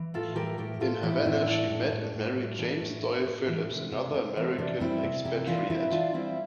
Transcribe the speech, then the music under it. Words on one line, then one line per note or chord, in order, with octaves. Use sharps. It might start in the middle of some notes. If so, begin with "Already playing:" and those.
In Havana she met and married James Doyle Phillips, another American expatriate.
Already playing: E3
A2 F4 A4
E3 G4 A#4
A2 G4 A#4
A2 F4 A4
E3 E4 G4
A2 C4 E4
E3 D4
A2
A2
A2
G3
E3 D4
A2
A2
A2
E3
C3
C3
C3
E3 C4
C3 D4
G3 C4 E4
C3
C3 E4 G4
E3 D4 F4
E3 C4 E4
E3 D4 F4
G3 C4 E4